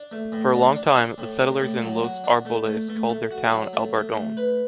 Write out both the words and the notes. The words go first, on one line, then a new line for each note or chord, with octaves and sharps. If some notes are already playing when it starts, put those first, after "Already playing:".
For a long time, the settlers in Los Árboles called their town Albardón.
Already playing: D4
A3
A2
D4
D4
D4
A2
D4
A2
F#3
F#4
D4
A3
A3
A3
A3
F#4
F#3
A3
A3
A3
B4